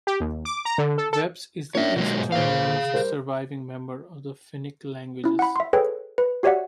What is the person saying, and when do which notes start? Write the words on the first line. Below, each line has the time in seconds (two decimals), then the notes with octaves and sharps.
Veps is the easternmost surviving member of the Finnic languages.
0.07 G4
0.20 D#2
0.45 D6
0.65 A#5
0.78 D3
0.98 A4
1.13 A4
1.75 A#3 C#4 D4 C#5 E5
1.96 B2 D#3 F#3 G#3
2.18 G#2
2.32 D#2 A#2 G#4 C5 F5
2.94 G3 A#4 C5
5.24 C#4 E4
5.39 F#5 B5
5.56 E5 C6
5.73 G#4 A4 B4 C#5 G5
6.18 B4
6.43 F#4 G4 C#5 D5 E5 F#5